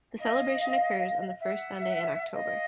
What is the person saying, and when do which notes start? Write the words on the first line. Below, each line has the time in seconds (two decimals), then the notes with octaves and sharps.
The celebration occurs on the first Sunday in October.
0.19 D#5 F5
1.41 E5 F#5
2.33 D#5 F5